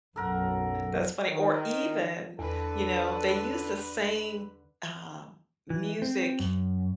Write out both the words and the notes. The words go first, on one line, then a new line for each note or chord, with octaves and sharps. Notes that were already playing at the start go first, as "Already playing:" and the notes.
That's funny, or even, you know, they use the same, um, music
B1 F#2 A4 A#4 F#5
D#3
E2 D3 D4 A4 B4
E3
C4
F#2